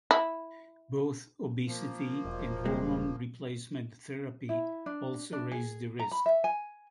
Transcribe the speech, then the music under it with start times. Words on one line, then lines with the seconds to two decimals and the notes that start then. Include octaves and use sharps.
Both obesity and hormone replacement therapy also raise the risk.
0.11 E4
1.67 F3 A#3
2.25 E1
2.65 G2 A#2 G#3
4.49 E4
4.86 D4
5.33 D4
5.51 G#4
5.99 A#5
6.11 B5
6.26 E5
6.44 G#5